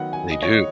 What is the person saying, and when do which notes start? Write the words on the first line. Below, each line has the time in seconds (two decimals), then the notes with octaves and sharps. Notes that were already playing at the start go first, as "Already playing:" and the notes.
They do.
Already playing: D#3 F#3 B3 F#5
0.13 G#5
0.31 D#5
0.43 C#5
0.54 D#5